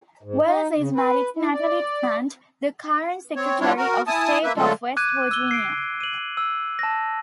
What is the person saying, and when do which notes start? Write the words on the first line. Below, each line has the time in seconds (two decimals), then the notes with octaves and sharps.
Wells is married to Natalie Tennant, the current Secretary of State of West Virginia.
0.23 G#2
0.46 D#4
0.78 C#3
0.96 B4
1.37 E4
1.53 D5
3.36 C4 C#5
3.60 G3 D4 E4 F4 C#5
3.77 F#4 A#4
4.07 E4 G#5 A5 D#6
4.43 A#3 B4 E5
4.57 D3 F#3 G#3 A3 F4 A4
4.97 D6 F#6 G#6 D#7
5.31 E6 G7
5.51 C7 D7
6.01 D#7 F#7
6.37 E6
6.79 A5 A#6